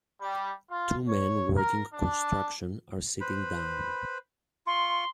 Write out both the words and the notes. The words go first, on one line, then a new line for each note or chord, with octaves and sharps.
Two men working construction are sitting down.
G3
F4
C#5
A#4
D4
B4 C5 B5
F4 C6 C#6